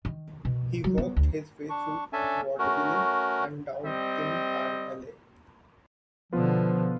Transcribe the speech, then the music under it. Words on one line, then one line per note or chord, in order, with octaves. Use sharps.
He worked his way through Vaudeville and down Tin Pan Alley.
D#3
B2
F#3
B3
D2
D4 C#6
C#4 D4 A4 E5 G#5 A5
A3 C#4 F#4 A#4
G3 C4 D#5
B2 D3 F3 B3 F4 B4